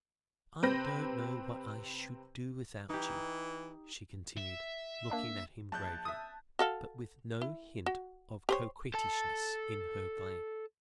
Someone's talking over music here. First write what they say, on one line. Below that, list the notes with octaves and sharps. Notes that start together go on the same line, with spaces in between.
"I don't know what I should do without you," she continued, looking at him gravely, but with no hint of coquettishness in her glance.
C3 C4 B4 B5 G6 A#6
E3 D#4 G4
E5
A#3 D4 D5
A#1 A5 F#6 G6
E5 D#6
F#4 A4 F5
E4
F#4
G4 C5 C#5
A4 A5